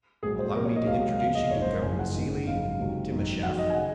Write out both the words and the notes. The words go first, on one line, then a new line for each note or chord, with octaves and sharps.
"Allow me to introduce you to Count Wassili Timascheff."
A#1 G#2 F#3 G#4
C5
A#1 A#2 F#3 A#4
C#5
D#5
C#2 C3 F#3 F5
D#2 C#3 F3 F5
D#5
G#1 F#2 F3 C#5
C5
A#4
F#1 F#2 C#3 F3 G#5
F#5
G#1 G#2 D#3
G#1 F#2 C#3 F3 F5
C#2 C3 D#3 F#3
G#1 F#2 D#3
F2 D#3 F#3 F#5
D#5
G#5
C#3 F#5